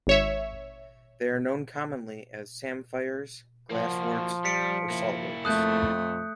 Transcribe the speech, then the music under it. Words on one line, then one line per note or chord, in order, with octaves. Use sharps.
They are known commonly as samphires, glassworts, or saltworts.
G#1 C#5 E5
F3 A#3 F#4
G3 B6 C#7 D7
A#3 E4
F2 A3 D#6 F#6 G6